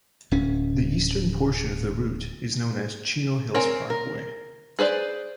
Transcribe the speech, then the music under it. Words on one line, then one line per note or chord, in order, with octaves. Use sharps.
The eastern portion of the route is known as Chino Hills Parkway.
D1 C#4
C4 A#4 C#5 G#5
A#4
G#4 B4 C5 D5